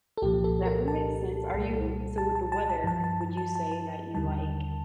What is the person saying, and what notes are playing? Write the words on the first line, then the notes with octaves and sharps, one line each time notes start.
That would make sense. Are you so with the weather, are would you say that you like,
A4
C2 A#2 F3 G4
A4
A#4
A5
C2 A#2 G3
A5
A5
A5
A5
G2 F3 A5
A5
A5
A5
A5
A5
D#2 D3 G3 A5